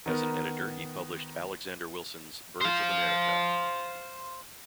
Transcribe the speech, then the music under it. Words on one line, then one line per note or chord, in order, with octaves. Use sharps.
As an editor, he published Alexander Wilson's "Birds of America".
D#3 B3 A#4
C5 F5